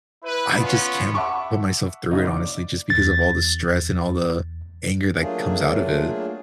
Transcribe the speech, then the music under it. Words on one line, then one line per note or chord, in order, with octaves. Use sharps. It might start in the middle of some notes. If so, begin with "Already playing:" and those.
I just can't, put myself through it honestly, just because of all the stress and all the, anger that comes out of it.
E4 B4
B3 C#4 F4
E5 F#5 A5 B5 C#6 D6
F#1 D#4
D5 D6
E2 A6
F#3 A3 A#3 D4 F4 G#4